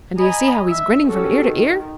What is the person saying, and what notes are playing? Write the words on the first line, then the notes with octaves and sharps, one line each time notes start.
And do you see how he's grinning from ear to ear?
D#5 G#5 A#5 B5
E5
C#4 F#4 G4 A4
D#3